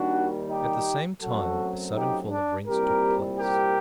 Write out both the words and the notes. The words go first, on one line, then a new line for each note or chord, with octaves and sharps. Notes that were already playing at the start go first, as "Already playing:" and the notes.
At the same time a sudden fall of rents took place.
Already playing: D#2 D#3 G3 D4 F#4
D#4 G4
F#2 F#3 A3 C4 F#4 A4
D#4 G4
D4
C2 A#2 G3 C4 G4 A#4
G4 A#4